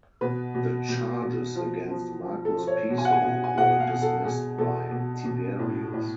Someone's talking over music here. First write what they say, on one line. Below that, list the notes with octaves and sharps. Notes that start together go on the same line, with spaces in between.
The charges against Marcus Piso were dismissed by Tiberius.
B2 B4
B2
B2
B2
F3
F3
F3
A4
F3
C#5
B2
G#5
F#5
G#5
B2
G#5
B2 F#5
F5
B2
A4
B2 G#4
B2 A4
B2
B2
A2
A2